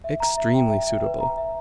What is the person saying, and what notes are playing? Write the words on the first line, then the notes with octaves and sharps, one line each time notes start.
Extremely suitable.
E5
A#5
E5
G5
E5
E5
B4
A#5
E5